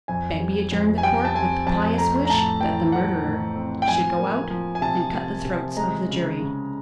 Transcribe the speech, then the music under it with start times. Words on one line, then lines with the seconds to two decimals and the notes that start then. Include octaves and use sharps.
Begbie adjourned the court with the pious wish that the murderer should go out and cut the throats of the jury.
0.08 F2 G#5
0.40 G3
0.72 F2
0.98 G#5
1.03 G3 G5
1.25 A5
1.35 C4 G#5
1.67 F2 A5
1.98 A3 A#5
2.25 A#5
2.29 A2 A5
2.61 E3 G5
2.92 A3 F#5
3.24 A2
3.56 C4
3.82 G5
3.88 F3 G#5
4.19 A#3
4.50 F3
4.75 G#5
4.81 C3 A5
5.14 C3
5.45 C3
5.77 G#3 A#5
6.09 C#3
6.39 C#3